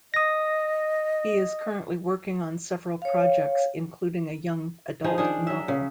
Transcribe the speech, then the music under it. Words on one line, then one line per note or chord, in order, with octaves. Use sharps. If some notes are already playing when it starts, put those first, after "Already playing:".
He is currently working on several projects, including a young adult novel.
D#5 D#6 A#6
C#5 F5
F3 D#4 G#4
D#3 D4 G#4
F#3 E5
C#3